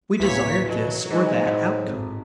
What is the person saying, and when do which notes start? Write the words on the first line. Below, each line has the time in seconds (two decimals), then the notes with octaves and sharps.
We desire this or that outcome.
0.20 A1 D2 E3 A#3 C#5 B6
0.66 B2 F#3
1.10 G#2 E3 G#3
1.47 A2
1.81 G#1